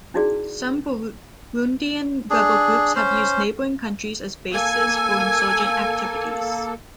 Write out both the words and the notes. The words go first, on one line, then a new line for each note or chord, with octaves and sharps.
Some Burundian rebel groups have used neighboring countries as bases for insurgent activities.
C#4 D#4 E4 F#4 G#4 D5
D4 G#4
C#4 C5
A#3 A4 G#5 E6